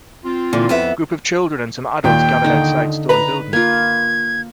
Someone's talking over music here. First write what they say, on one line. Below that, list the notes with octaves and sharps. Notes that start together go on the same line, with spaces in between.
Group of children and some adults gathered outside stone buildings.
C4 F4
A#2 D3 E3
F2 B3 E5
D#2 A#2 G5
D3 D#4
B4 A#5
A#3 F4 G#6